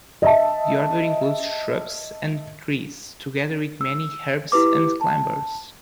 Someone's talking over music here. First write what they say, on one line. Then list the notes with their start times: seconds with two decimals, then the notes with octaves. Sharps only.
The order includes shrubs and trees, together with many herbs and climbers.
0.22 D#5 E5 A5
3.81 E6
4.52 E4 G4 B4 D6
5.01 A5